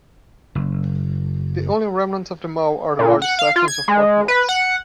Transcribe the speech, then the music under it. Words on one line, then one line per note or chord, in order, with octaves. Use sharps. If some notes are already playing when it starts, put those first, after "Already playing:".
The only remnants of the mall are the large sections of parking lots.
F#1
A#2
F#5
F5
F4
G#6
G#3
B4
F#5